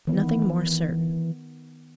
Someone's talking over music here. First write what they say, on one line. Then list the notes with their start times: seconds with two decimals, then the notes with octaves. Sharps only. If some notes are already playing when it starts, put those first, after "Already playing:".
Nothing more certain.
0.07 D#3 E3 B3